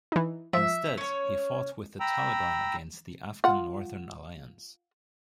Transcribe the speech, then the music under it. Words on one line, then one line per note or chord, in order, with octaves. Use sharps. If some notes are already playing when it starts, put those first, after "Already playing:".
Instead, he fought with the Taliban against the Afghan Northern Alliance.
E3 D#4
F3 E5
C#4 C#5
G5 A#5 B5 E6
F4 F#5